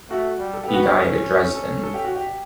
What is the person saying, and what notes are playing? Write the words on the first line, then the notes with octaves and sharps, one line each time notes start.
He died at Dresden.
A3 F#4
G3
A4
B3 G4
F#4
G4
C#4 A4
A4
A4
G4
F#4
G4
G4